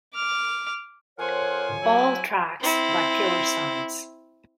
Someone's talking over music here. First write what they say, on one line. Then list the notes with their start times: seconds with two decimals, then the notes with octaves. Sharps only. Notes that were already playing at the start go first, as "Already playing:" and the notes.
All tracks by Pure Science.
0.14 D6 F6
1.19 F2 F3 A#4 C5 C#5 F#5 G#5 C6
1.83 F#3 E4
2.61 C4 E4